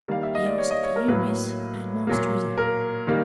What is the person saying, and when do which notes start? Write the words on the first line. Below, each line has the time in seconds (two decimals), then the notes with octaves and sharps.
'He asked for you, miss; and master is out.'
0.08 D#3 G3 A#3 F5
0.23 E5
0.35 D#5
0.46 D5
0.58 C#5
0.71 D#5
0.83 C#5
0.96 A#4
1.08 A2 F#3 A#3 B4
2.07 A#2 F#3 A#3
2.57 A#4
3.07 D#3 G3 A#3